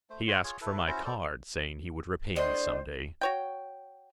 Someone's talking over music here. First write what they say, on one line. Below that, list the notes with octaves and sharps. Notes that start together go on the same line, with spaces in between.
He asked for my card, saying he would repay me some day.
A3 C5
C#5 F#5 C6
F4 G#4 C#5
E4 A4 B4
C#4 E4 F#4 C5
A4 C5 D5
A2 D4 C5 D#5
F#4 C#5 G5